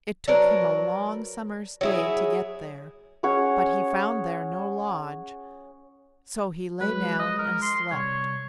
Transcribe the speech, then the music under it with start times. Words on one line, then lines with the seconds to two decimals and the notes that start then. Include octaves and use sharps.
It took him a long summer's day to get there, but he found there no lodge, so he lay down and slept.
0.28 F#3 D4 A#4 B4
1.81 F#3 E4 G#4
3.23 C#4 G#4 C#5 F#5
6.81 F#3 G#3 B4
7.19 F3 G#3 D#5
7.39 A#4
7.62 C6
7.92 C3 G3 C#5